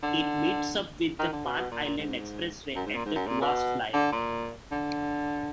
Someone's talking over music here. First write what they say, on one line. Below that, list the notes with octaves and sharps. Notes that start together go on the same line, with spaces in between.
It meets up with the Pan Island Expressway at the Tuas Flyover.
D3
D#3
D3
B2
B2
A#2
A#2
G#2
F#2
G#2
A#2
G#2
F#2
A#2
B2
D3
A#2
D3